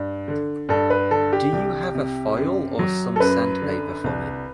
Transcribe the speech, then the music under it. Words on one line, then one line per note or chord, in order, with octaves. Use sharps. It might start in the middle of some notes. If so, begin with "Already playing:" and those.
Do you have a file or some sandpaper for me?
Already playing: G2
D3
G2 A4
B4
D3 A4
G4
C2
C3
F#2
F#3
A4
F#2 B4
D3
C2